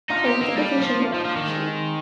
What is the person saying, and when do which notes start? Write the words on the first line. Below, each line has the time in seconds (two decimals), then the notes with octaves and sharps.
Part of the division got captured.
0.10 D4 D#4 F4
0.26 G4
0.33 C4 D#4
0.41 A#3
0.56 G3 A#3 D4
0.79 F3
1.02 D4 F4
1.14 F3 D#4
1.24 F3 A#3 D4
1.36 D#3
1.48 G#3 C4